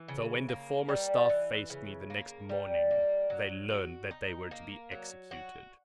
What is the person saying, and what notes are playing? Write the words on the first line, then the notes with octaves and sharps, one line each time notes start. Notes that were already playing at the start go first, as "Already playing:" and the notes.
So, when the former staff faced me the next morning, they learned that they were to be executed.
Already playing: E3
C#3
A#3
G3
E3
C#3
A#3
G3
A#3
F#3
F#4
D#4
A#3
F#3
F#4